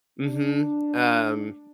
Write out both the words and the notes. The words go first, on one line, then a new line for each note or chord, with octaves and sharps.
Mhm, um,
D4